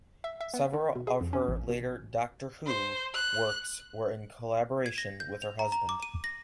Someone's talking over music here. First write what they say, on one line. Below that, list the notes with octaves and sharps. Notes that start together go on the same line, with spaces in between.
Several of her later "Doctor Who" works were in collaboration with her husband.
E5
E5
B3
D#3
B2
G#4
F2
C#4
A1
B2
C5
F#6
G#6
A#6
G6
F7
A#5
A#5
D6
D#7
A#6